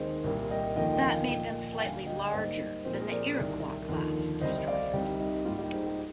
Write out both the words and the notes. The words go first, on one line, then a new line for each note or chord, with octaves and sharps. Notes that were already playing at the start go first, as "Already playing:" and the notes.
That made them slightly larger than the "Iroquois"-class destroyers.
Already playing: D#2 D#3 G#3 C4 C5 D#5
C2 A#2 G3 A#3
D#5 G5
D#2 D3 F3 A#3 D#5 G5
G5
F5 G#5
A#2 F3 A#3 D#5 G5
G5
D2 D3 G3 A#3 F5 G#5
D#5 G5
D5
G#2 G3 A#3 C5 D#5
A#2 F3 C4 C5
A#4
G#4 C5
A#4 D5
C2 C3 D#3 G3
D#2 D3 F3
C2 C3 G3 C5 D#5
D5 F5
C2 C3 G3 C4 D#4 G4
D#4
G#2 G3 A#3 F4
D#4 G4
G#4 C5
G4 A#4